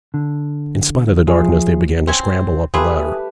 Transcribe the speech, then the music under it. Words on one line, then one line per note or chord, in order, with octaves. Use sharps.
In spite of the darkness they began to scramble up the ladder.
D3
F3 F4 G#4 E5 G#5
C4 C#4 G#5
G3 A3 E4 F4 G#4 B4